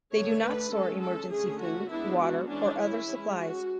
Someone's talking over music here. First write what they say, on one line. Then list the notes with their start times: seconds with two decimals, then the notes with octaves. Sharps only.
They do not store emergency food, water or other supplies.
0.14 D3 A3 D4 C#5
0.44 B4
0.72 G#3 C#4 A4
1.02 A4
1.31 D3 A3 C#4 G#4
1.61 F#4
1.90 G#3 B3 D4 E4
2.21 F#4
2.50 E3 G#3 C#4 D4
2.79 E4
3.08 G#3 C#4
3.38 F#4